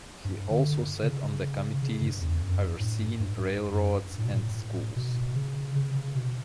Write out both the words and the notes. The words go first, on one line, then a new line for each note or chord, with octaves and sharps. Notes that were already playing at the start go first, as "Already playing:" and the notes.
He also sat on the committees overseeing railroads and schools.
G2
D3
C#3
C#3
G2
E2
F#2
G2
A2
G2
G2
G2
F#2
G2
A2
B2
A2
B2
C#3
C#3
C#3
B2